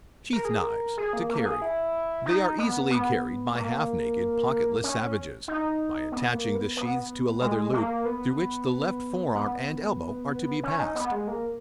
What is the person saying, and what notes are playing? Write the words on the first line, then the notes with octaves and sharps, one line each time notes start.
Sheath Knives, to carry.--They are easily carried by half-naked, pocketless savages, by attaching the sheaths to a leather-loop, through which the left forearm and elbow are to be passed.
A#4
G#4
A#4
G#4
A#3
A#3
G#4
E4
D#4
B3
B3
A#3
C#4
D#4
B3
A#3
B3
B3
G#3
A#3
B3
B3
C#4
D#4
B3
G#3
A#3